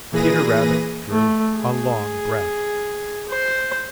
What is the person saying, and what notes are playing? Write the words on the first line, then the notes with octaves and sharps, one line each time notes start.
Peter Rabbit drew a long breath.
A#2 E3 G#4 B4 A#6 D#7
A3
G#4
C5